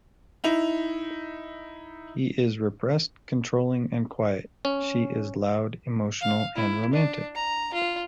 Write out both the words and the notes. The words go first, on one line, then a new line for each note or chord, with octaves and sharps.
He is repressed, controlling, and quiet; she is loud, emotional, and romantic.
D#4 E4 F7
C#4
F5
E4
D4
A#5
F4